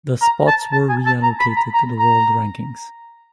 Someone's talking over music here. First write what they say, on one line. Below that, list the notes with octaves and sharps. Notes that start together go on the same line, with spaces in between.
The spots were reallocated to the world rankings.
A#5
A5
A5
G#5
A5
A#5
B5
A#5
A#5
A#5